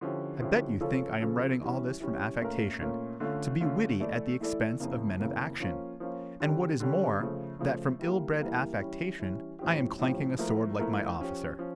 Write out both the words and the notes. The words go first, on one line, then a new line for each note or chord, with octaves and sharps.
I bet you think I am writing all this from affectation, to be witty at the expense of men of action; and what is more, that from ill-bred affectation, I am clanking a sword like my officer.
D3 F3 C#4 E4 G4
D3 F3 C#4 E4 G4
C#3 F3 C#4 F4 A4
C#3 F3 C#4 F4 A4
E3 G3 C#4
E3 G3 C#4
A#2 A3 C#4 F4 A#4
A#2 A3 C#4 F4 A#4
D3 A3 C#4 F4
D3 A3 C#4 F4
E3 A3 E4 A4 D5
E3 A3 E4 A4 D5
F2 C#3 E3 A#3
F2 C#3 E3 A#3
F3 A#3 C#4 F4
F3 A#3 C#4 F4
D3 G3 C#4 G4
D3 G3 C#4 G4
C#3 F3 A3
C#3 F3 A3
E3 G3 A#3
E3 G3 A#3
E3 G3 C#4
E3 G3 C#4
A2 F3 C#4 G4
A2 F3 C#4 G4
F3 A3 E4 A#4
F3 A3 E4 A#4
F3 C#4 G4
F3 C#4